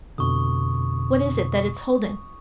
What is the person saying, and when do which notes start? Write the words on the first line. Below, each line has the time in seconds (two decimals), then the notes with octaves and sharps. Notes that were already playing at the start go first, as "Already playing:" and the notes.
"What is it that it's holding?"
0.18 F2 B2 D3 C#6 D#6